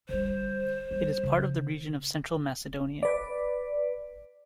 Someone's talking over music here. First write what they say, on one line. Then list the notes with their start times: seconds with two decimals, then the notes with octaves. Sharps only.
It is part of the Region of Central Macedonia.
0.09 D3 G3 C5
0.91 G3
1.23 C#3
3.03 B4 D5